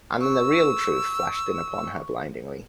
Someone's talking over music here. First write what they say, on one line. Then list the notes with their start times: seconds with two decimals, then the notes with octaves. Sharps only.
And then the real truth flashed in upon her blindingly.
0.21 C#6 E6